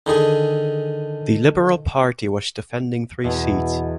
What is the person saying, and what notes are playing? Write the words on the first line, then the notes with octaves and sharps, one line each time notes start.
The Liberal Party was defending three seats.
D3 D#3 G#4
E2 B2